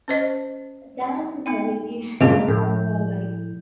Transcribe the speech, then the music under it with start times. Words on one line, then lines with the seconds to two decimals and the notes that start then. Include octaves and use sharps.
The dance is a variation on a conga line.
0.08 C#4 C5 D#5
1.46 B3 D#4 G5
2.21 C#2 G2 A#2 C#4 G#4 F5
2.48 A2 F3 G6